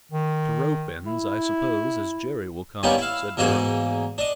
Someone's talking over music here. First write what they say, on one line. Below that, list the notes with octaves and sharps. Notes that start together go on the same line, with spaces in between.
"To rope ends, I suppose, as Jerry will come," said Durham.
D#3
E4
D#3 G3 A#3 B3 C#4 D#4
E4 F5
E2 G#2 A#3 D#4 F#4 G#4
D4 D#5